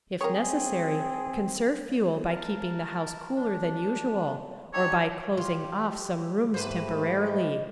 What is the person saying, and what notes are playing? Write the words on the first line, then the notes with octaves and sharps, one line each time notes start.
If necessary, conserve fuel by keeping the house cooler than usual, or by "closing off" some rooms temporarily.
C4 G#4 A#4 C#5 G5
A#4 A5
D4
D#4 G4 A4 C#5
F4 G4
G#2 A3 G4 B4 C5
D#5